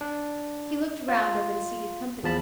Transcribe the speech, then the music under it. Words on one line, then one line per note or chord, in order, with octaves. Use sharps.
He looked round over the seated company.
D4
F4
E2 F3 A5 B5